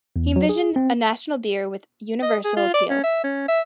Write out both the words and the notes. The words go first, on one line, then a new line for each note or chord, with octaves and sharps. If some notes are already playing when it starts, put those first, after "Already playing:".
He envisioned a national beer with universal appeal.
E2
F#3
G#4
C4
D#5
G#4
F4
D5
C#4
E5
C#4
E5